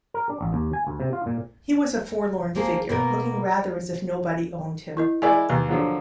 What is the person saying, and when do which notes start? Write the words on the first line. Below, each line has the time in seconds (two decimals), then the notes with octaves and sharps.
He was a forlorn figure, looking rather as if nobody owned him.
0.14 A#4
0.29 D4
0.41 A1
0.53 D#2
0.73 G#5
0.87 D2
1.00 C3
1.13 F4
1.26 A#2
2.55 F3 A#3 G#4 C5
2.89 B2 A#3 A#4
4.97 E4 A#4 D#5
5.22 G#3 E4 A#4 D5 D#5 G#5
5.49 D#2 B4
5.69 D3 F3 F#3